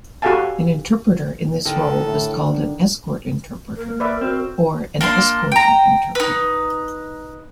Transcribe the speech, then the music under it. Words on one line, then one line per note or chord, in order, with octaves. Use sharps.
An interpreter in this role is called an "escort interpreter" or an "escorting interpreter".
F#4 G4 A4 F5 G#5 A5
D3 D#3 A4
A2
D4
A#3 A#4
B4 D5 E5
C4 F#4
A#3 D4 B5 C6
G5 A#5
D#4 B4